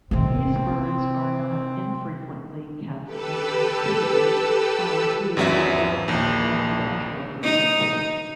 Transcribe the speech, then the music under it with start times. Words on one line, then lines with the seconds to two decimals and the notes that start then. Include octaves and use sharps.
These birds are not infrequently kept in captivity by zoos or aviculturalists.
0.11 C3 D#3 C4
3.04 G4 A4 B4 E6
5.37 G#1 E2 F#3 C#4 E5
6.08 A#1 D#2
7.43 D#4